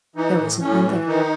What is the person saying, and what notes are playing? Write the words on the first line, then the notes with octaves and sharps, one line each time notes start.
There was no one there.
E3 D#4
A2
A2 C#4
E3
D#3 D#4